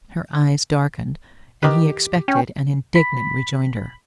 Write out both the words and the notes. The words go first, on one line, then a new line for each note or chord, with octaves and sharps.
Her eyes darkened, and he expected an indignant rejoinder.
D#3 G4 B4 D6
C#4 G5
B5